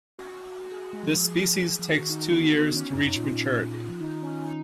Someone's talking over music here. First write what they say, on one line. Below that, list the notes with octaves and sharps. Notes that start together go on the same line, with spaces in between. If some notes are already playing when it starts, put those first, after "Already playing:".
This species takes two years to reach maturity.
F#4
F#4
G#4
F#4
G#3
F3
G#4
F3 G#4
D#3 F#4
D#4
B3
D#3 C#4
F#2 D#4
F#2
A#2 F4
F3
D#3 D#4
C#4
D#4